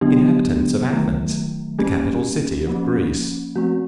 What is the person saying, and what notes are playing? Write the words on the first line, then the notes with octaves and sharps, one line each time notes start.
Inhabitants of Athens, the capital city of Greece.
D3 F#3 B3 D4 G4
D#3 F#3 A3
G3 A#3 C#4 G4
F3 A#3 C#4
F3 A3 C4 F#4